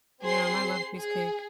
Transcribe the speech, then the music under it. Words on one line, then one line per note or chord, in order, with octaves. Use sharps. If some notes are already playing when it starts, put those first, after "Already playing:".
Yum, I love cheesecake.
C4 G#4 C5 C6 C7
G#4